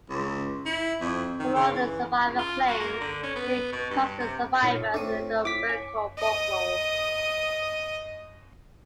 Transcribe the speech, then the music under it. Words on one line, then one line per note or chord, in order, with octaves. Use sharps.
For more on survivor claims, see "Custer Survivors in Little Bighorn Folklore".
C#2
E4
F2
D#3
C#3
E3
C#2
F4
F#4
A#3
D3
C#4
B3
B2
G2
C3
A#2 D#4 F4 C#5
A3 C4 D4 D#7
E4 D6 B6
C#5 G#5
D#5 D#6